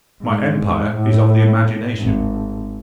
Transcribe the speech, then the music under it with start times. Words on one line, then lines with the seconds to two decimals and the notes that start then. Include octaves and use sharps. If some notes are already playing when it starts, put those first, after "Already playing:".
My empire is of the imagination.
0.22 G#2
0.95 A2
2.00 G#1